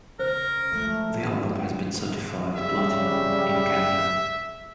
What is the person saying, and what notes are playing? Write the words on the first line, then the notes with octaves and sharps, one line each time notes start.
The album has been certified platinum in Canada.
C#3 A#4 C5
F3 G#3 A3
C#3 G3 E5